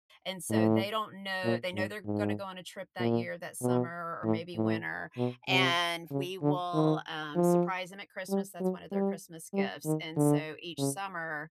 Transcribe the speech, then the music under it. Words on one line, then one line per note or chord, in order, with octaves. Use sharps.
And so, they don't know they know they're gonna go on a trip that year, that summer or or maybe winter, and we will, um, surprise them at Christmas. That's one of their Christmas gifts. And so, each summer
A2
A#2
G#2
G#2
A#2
B2
A2
A2
B2
C3
C#3
D3
D#3
F3
G3
F#3
G3
G3
D#3
D3
C#3